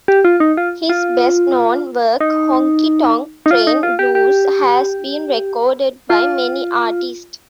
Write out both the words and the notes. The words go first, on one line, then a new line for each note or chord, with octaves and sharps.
His best-known work, "Honky Tonk Train Blues", has been recorded by many artists.
G4
F4
D#4
F4
F4
D#4
D#4
F4
D#4
F4
G4
G4
F4